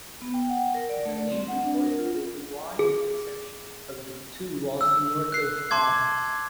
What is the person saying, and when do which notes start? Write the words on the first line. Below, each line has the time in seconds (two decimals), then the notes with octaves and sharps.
The name refers to the Y-intersection of the two roads north of town.
0.22 B3
0.34 G5
0.49 F#5
0.74 A#4
0.89 D5
1.06 A3
1.18 D5
1.32 C4
1.48 F#5
1.64 D4
1.83 A#4
1.99 F4
2.79 G#4
4.81 E6
5.32 F#6 C7
5.71 A5 C6 D6 G#6